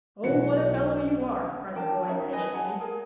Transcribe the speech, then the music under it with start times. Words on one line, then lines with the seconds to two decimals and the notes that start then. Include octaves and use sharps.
"Oh, what a fellow you are!" cried the boy impatiently.
0.23 B1 E3 F#4 C#7
1.75 D4 A#4 G5 A5
2.07 C#4 D#4 A#4 E5
2.32 E4 B4 D#5 G#5
2.53 G#4 F#5 G#5 A5
2.80 G#4 A#4 G#5